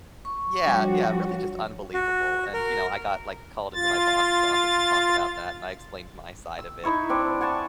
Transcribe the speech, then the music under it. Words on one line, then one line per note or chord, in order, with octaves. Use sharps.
Yeah, yeah, really just unbelievable, and you know I got, like, called into my boss's office to talk about that, and I explained my side of it.
C#6
F3 G3 D4 F#4 C#5
F#4
A#4
F4 A6
E6
D#4 E4 C#6
C4 D4 D5
F#5 G#5 A5 C#6